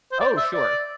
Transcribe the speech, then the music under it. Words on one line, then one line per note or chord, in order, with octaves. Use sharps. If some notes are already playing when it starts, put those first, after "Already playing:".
Oh, sure.
C5
D5
E5
D5